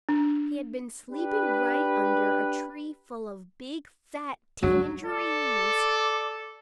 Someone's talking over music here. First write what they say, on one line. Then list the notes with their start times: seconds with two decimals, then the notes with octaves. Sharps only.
He had been sleeping right under a tree full of big, fat tangerines.
0.09 D4
1.10 D4 G4 B4
4.63 F#3 G#3 D4
5.05 A4 D5